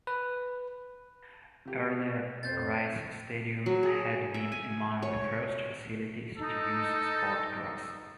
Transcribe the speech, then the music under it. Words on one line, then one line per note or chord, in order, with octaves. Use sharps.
Earlier, Rice Stadium had been among the first facilities to use SportGrass.
B4
C3 G4
F2 C4 C5 G6 A6
F#3
G#4
E5
G#5
C#5
D#4 A4